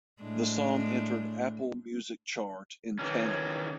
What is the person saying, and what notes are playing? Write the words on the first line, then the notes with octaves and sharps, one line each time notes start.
The song entered Apple Music chart in Canada.
A2 G#3 D4
D#3 E3 C#4